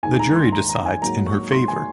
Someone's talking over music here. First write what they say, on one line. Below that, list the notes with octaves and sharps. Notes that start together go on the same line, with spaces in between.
The jury decides in her favor.
D#2 D#3 G#3 G#5
A#5
C6
A#5
A#5
G#5
G#2 F#3 A#3 A#5
C#6
C6
G#5